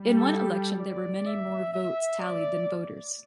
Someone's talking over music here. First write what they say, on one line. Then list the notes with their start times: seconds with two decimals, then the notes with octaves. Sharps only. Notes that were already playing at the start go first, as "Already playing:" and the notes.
In one election there were many more votes tallied than voters.
Already playing: G3
0.17 A4
0.80 D5
1.26 E5
1.74 E5
2.21 D5